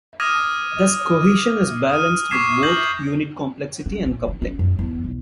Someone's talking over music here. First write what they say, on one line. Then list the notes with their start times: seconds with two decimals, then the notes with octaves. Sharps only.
Thus cohesion is balanced with both unit complexity and coupling.
0.20 D6 D#6 F6 G#6 A#6 D#7
1.89 D#6 F6 D#7
2.31 C#6 D6 G#6 B6 C7 E7
2.63 F6 G6 G#6 A#6 F#7
3.86 C#4
4.06 A#1
4.28 D3
4.42 C#4
4.59 F#2
4.79 E2
5.04 B1